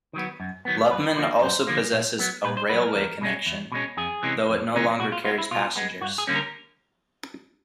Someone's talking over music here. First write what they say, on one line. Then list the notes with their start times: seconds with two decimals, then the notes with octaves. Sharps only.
Lubmin also possesses a railway connection, though it no longer carries passengers.
0.13 D#3 F#3 B3
0.40 F#2
0.65 D#3 F#3 B3
0.91 F#2 B4
1.16 D3 F3 A#3
1.42 F#2 C5
1.67 D3 F3 A#3
1.93 A#2
2.19 F#3 B3
2.44 A#2 B4
2.57 C5
2.69 F#3 B3 B4
2.83 A#4
2.95 E2
3.21 B2 G#3 C#4
3.46 E2
3.72 B2 G#3 C#4
3.97 F2 G#4
4.23 C3 E3 G#3 C#4
4.49 F2
4.74 C3 E3 G#3 C#4
4.99 B2 F#4
5.12 F4
5.25 G#3 B3 F4
5.38 E4
5.51 B2 F4
5.76 G#3 B3
6.01 G2 F#4
6.18 G#4
6.27 D3 G3 A#3 C#4
6.36 A#4